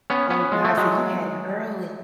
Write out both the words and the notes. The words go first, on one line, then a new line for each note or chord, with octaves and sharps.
Oh, god. So you had it early.
B3 C#4
B3 C#4
G#3
A3
F#3 G#3